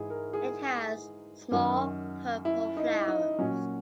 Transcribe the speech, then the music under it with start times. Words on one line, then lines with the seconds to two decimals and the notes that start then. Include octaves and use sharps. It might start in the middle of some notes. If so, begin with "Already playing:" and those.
It has small purple flowers.
Already playing: G#2 E3 E4 G#4
0.10 A#4
0.33 G#4
1.51 F#2 D#3 F#3
2.45 E4
2.77 D#4
3.08 D#4
3.39 A#2 F#3 C#4